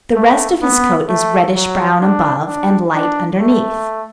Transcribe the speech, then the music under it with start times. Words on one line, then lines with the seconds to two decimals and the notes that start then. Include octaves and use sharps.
The rest of his coat is reddish-brown above and light underneath.
0.16 A3
0.63 B3
1.09 A3
1.56 F#3
2.01 D4
2.47 D4
2.94 D4
3.40 A3